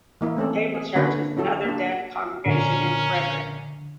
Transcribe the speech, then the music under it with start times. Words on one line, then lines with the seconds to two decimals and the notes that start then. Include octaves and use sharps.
The Table Church is another deaf congregation in Frederick.
0.21 E3 A#3 E4
0.36 A3 C4 C#4 A4
0.74 G#4
0.95 D3 A#3 C#4 D4 F#4 B4
1.37 C#4 E4 F#4 A4
1.65 A#3 D4
2.46 A#1 D3 C#4 A#4